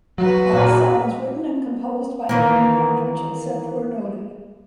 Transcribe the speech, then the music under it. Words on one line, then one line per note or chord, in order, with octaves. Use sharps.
All songs written and composed by Andy Partridge, except where noted.
F#3 F#4 B4
A#2 F#3 G#3 A#3
D#3 E3 A#3